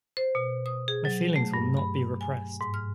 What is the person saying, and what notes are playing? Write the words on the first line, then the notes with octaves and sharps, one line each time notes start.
My feelings will not be repressed.
C5
B2
D#6
G#4
F#3
A3
G2
B5
G#5
G#2
F6